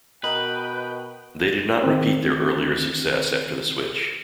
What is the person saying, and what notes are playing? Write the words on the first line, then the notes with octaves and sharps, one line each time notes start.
They did not repeat their earlier success after the switch.
B2 A#4 B4 D#5 G5
D#3 C4